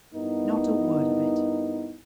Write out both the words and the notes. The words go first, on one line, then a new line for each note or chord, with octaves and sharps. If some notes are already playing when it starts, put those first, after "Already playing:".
'Not a word of it.
G2 B3 D#4 E4 A#4